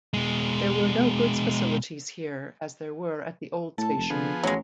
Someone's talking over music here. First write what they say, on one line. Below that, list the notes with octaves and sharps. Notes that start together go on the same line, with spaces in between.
There were no goods facilities here as they were at the old station.
B2 G#3
A2 A4 A5
F1
D3 F3 B3 G#4
A1 F#3 G#3